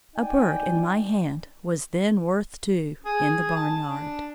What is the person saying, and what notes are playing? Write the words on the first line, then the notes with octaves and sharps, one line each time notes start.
A bird in my hand was then worth two in the--barnyard.
D#4 D5 G5 G#5
G#4
A5
D4